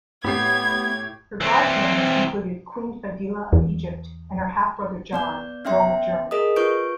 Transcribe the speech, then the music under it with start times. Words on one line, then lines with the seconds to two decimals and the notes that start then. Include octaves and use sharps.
Her godparents included Queen Fadila of Egypt and her half-brother John, Earl Jermyn.
0.25 A2 B3 G4 G#6 C7
1.41 E3 C4
3.53 E2
5.13 B3 D5 G6
5.65 B3 C#4 E5 G5 C6
6.31 G#4 A#4 D#5 D#6
6.56 F4 B4 C#6 G6 D7